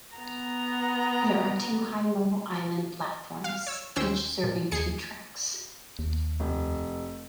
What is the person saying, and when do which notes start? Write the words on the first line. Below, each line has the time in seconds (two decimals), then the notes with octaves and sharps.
There are two high-level island platforms, each serving two tracks.
0.16 B3 A#5
3.44 F5
3.67 C#5 E6
3.96 D#2 C#4 C5 G5 E6
4.43 A#2
4.71 D#2 G#4 C7 C#7
5.99 D#2
6.40 F1